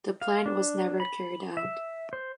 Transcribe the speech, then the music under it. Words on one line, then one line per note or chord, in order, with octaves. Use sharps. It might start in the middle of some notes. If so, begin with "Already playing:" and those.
The plan was never carried out.
F5
D4
B5
E5
C5